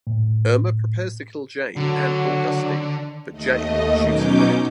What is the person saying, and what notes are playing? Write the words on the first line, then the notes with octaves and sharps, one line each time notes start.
Irma prepares to kill Jane and Augustine, but Jane shoots her dead.
A2
D3 F#3
D#2 A3 D#5
B2 F#3 C#4 D#4 D6 G6